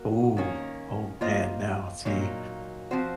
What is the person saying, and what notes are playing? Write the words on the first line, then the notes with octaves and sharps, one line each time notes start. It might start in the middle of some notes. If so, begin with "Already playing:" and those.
Ooh, oh man, now, see
Already playing: A#3 F#4 A#4
D#3 A#3 C#4
A#3 F4 C5 D#5
A#2 F#3 A#3 D#4
F3 C4 F#4 C5